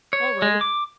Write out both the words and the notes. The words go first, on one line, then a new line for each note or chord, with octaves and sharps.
All right.
C#5
G#3
D6